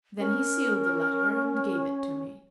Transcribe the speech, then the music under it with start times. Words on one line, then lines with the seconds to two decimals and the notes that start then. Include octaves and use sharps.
Then he sealed the letter and gave it to me.
0.20 C#4 A#4